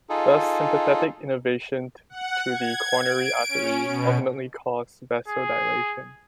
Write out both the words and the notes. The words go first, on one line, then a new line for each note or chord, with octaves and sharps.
Thus sympathetic innervation to the coronary arteries ultimately causes vasodilation.
D#4 F4 G#4 A4
F#5
G#6
D7
C#4
B2
G#4